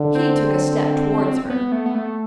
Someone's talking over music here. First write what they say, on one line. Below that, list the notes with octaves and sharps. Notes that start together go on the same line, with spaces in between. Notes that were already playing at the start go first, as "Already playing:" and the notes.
He took a step towards her.
Already playing: D3
C4
B3
A3
B3
A3